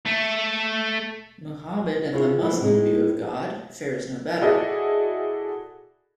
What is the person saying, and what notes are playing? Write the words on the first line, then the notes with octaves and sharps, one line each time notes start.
Muhammad, and the Muslim view of God, fares no better.
A3
C#4 D4 E4 F4 G#4 C#5
E3 F3 B3 D4 E4
A2 G#3 D#4
E4 F#4 G#4 A4 D5 D#5